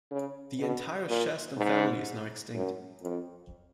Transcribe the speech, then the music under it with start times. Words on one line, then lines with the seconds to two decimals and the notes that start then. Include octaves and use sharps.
The entire Shastan family is now extinct.
0.11 C#3
0.59 B2
1.09 A#2
1.57 G#2
2.55 F#2
3.02 F2